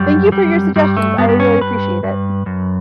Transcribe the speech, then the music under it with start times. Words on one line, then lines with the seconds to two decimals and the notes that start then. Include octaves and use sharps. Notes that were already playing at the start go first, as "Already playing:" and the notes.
Thank you for your suggestions, I really appreciate it.
Already playing: F#2 G3
0.32 F#2 G3
0.76 G2 G3
0.97 A3
1.18 G2 B3
1.29 B3
1.40 C#4
1.61 G2 B4
2.04 G2
2.46 F#2